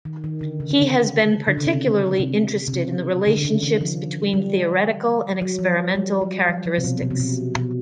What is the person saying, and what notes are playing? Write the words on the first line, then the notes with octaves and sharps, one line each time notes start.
He has been particularly interested in the relationships between theoretical and experimental characteristics.
D#3
D#3
D3
C#3
D3
C#3
D3
C#3
C3
C3
C3
C#3
D3
D3
C#3
D#3
F3
G3
F#3
F3
G3
F#3
F3
F3
C3
B2
B2
C3
B2
B2